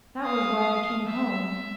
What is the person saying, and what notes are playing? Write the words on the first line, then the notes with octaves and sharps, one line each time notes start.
That was why I came home.
F5 D#6
E5